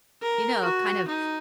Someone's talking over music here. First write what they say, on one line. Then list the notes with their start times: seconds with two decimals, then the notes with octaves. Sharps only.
you know, kind of,
0.22 A#4
0.65 F#4
1.08 D#4